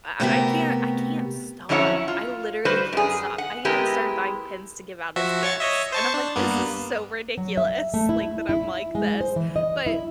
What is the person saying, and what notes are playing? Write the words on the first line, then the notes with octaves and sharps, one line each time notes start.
I I can't I can't stop. I literally can't stop. I even started buying pins to give out as gifts and I'm like this is so ridiculous, like, that I'm like this. But
C3 A3 B3 F#4 G4 A#4
F2 F#3 C#4 E4 C#5 F#5
F4
G3 F#4 B4 C5
F#2 G#4
F#5
G#3 B3 E4 G4 A#4 B4
F3 F#4 E5
C#5 C#6 A6
C#5 D#5 E5
C5 A5 C#6
D4
G2 A#3 B3
F#3
E5
A3
E4
E4
G#3
C5
E3
D#5
E4